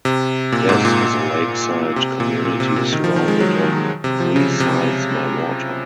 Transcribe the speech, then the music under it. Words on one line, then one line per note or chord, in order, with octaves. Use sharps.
This is a lakeside community surrounded on three sides by water.
C3
A#2
G#2
A#2
C3
A#2
A#2
C3
A#2
D#3
F3
D#3
G#3
F#3
D#3
C3
F3
C#3
C3